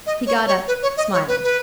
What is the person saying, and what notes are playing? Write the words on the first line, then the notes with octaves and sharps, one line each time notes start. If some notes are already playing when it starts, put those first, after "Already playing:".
He got up, smiling.
D#5
C#5
C#5
B4
C#5
D#5
C#5
B4
B4